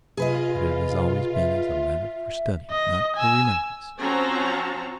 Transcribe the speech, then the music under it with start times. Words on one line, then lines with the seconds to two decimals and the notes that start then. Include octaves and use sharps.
But it has always been as a matter for study, not for remembrance.
0.17 C3 F4 G#4 B4 D#5
1.33 E5
2.71 D#5
3.16 G#5 E6
3.99 F3 C4 C#4 F#4 A5 A#5